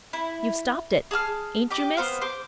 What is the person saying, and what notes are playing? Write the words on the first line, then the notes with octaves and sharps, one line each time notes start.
"You've stopped it--ain't you, miss?"
E4
G#4 A5 D#6 F6
G4 D#5 D6
B3 C5 F5
C5 D6